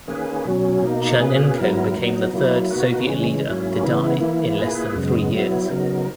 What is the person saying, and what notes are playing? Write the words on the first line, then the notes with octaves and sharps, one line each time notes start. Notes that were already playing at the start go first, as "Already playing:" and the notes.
Chernenko became the third Soviet leader to die in less than three years.
D#3 A#3 C#4 G#4 B4
B2 F#3 C#4
B2 A#3 D#4
B2 A#3 C#4 G#4 B4
G#2 F#3 B3 E4 A#4
A#2 F#3 B3 D#4
F#3 A#3 E4
B2 A#3 D#4 F#4 B4
C#3 E3 G#3 C#4
G#2 F#3 A#3 C#4 E4
C#3 E3 B3 E4
E3 A#3 E4
A#2 A#3 E4 G#4 B4
F#2 C#3 G#3 B3
F#3 B3 E4
C#3 F#3 B3 D#4 A#4